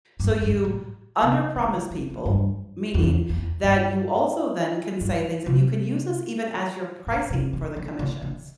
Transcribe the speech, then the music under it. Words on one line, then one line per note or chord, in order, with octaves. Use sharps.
So you underpromise people, meaning that you also then can say things, and you can use this even as your pricing for the commissions.
G2
G2
A2
C3
D3
E3
E3
G2
E2
E2
G2
G2
C3
A2
C3
D3
D3
D3
D3